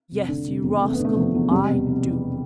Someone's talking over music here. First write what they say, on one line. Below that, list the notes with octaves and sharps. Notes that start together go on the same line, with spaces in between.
"Yes, you rascal, I do."
F1
D3
F1
E2
F1 A3
B3
D3
A3
F1 F3
E2
F1 G3
B2
F1
E2